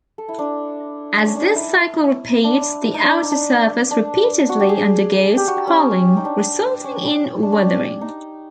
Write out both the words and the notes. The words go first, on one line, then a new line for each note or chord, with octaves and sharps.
As this cycle repeats the outer surface repeatedly undergoes spalling, resulting in weathering.
A4
E4
D4
C#4
D4
D#4
E4
D4
D#4
D4
D#4
D4
D4
F#4
G4
G#4
G4
F#4
G4
C#4
D#4
D4
C#4
D4
C#4
D4
D#4